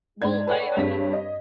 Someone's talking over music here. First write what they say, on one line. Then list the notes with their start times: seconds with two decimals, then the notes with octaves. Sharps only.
Well, I I mean
0.22 G#2 G#3 D4 G#6
0.47 A4 B4 C#5 D5 F#5 G5
0.77 G2 C4 G#4 C#5 B6
1.13 D#5